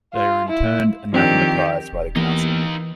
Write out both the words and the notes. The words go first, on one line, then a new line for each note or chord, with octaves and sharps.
They in turn were anathematized by the Council.
F4
E4
D#3 F3 C4 D4 G4
D#1
E2 E3 A#3 D#4 G4 F5